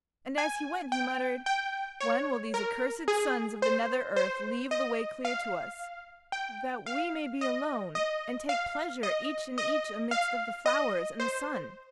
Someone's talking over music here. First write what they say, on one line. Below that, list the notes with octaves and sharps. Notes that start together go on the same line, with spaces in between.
And as he went, he muttered: "When will these accursed sons of the nether earth leave the way clear to us, that we may be alone and take pleasure each in each amidst of the flowers and the sun?"
G#5
G5
G5
C#5
A#4
G#4
C5
C5
D#5
F5
G5
F5
D#5
D#5
F5
D#5
D#5
F5
D#5
C5